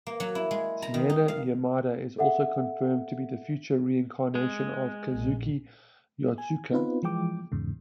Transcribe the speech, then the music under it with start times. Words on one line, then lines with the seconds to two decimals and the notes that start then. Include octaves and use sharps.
Seina Yamada is also confirmed to be the future reincarnation of Kazuki Yotsuga.
0.07 A#3
0.20 F#3
0.35 E4
0.51 G#3
0.82 A#5
0.94 D#3
1.10 D#4
1.28 F5
2.18 A4 E5 F#5
4.35 G#3
5.14 A#1
6.38 G#5
6.71 B3 C4 D#4 F4 B4
7.03 E3 F3 G#3 G5 D6
7.52 E2 G#2 C#3